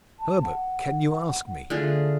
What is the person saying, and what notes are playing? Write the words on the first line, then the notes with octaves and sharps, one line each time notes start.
"Herbert, can you ask me?"
A5
F#5
D3 A3 F4 G#4